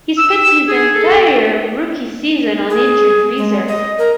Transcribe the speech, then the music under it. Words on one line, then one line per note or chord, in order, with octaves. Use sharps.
He spent his entire rookie season on injured reserve.
E6
G#4
A4
G#4
G#3
D#5
A#4